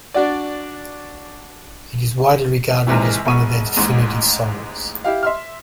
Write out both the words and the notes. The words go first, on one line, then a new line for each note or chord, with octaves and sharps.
It is widely regarded as one of their definitive songs.
D4 F#4 D5
A#1 G#2 C3 E3
E1 B2 C#6 D#7
A1 D#2 G#2
E4 G4 F5
E5 C6 F6